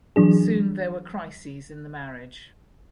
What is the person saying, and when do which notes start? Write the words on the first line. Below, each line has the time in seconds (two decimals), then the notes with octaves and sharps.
Soon there were crises in the marriage.
0.16 E3 F#3 D4 G#4